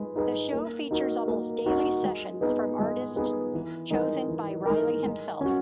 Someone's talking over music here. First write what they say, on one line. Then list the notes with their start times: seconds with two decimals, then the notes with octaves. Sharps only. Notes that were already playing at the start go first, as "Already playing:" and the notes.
The show features almost daily sessions from artists chosen by Riley himself.
Already playing: G#3 D#4 B4
0.16 D#4 G#4 B4
0.53 A#3
0.91 D#4 F#4 A#4
1.28 A#3
1.66 D#4 F#4 A#4
2.03 G#3
2.41 B3 D#4 G#4 B4
2.79 G#3
3.16 B3 D#4 G#4 B4
3.54 E3
3.91 G#3 D#4 A#4
4.29 E3
4.66 G#3 D#4 A#4
5.04 G#3
5.41 C#4 F#4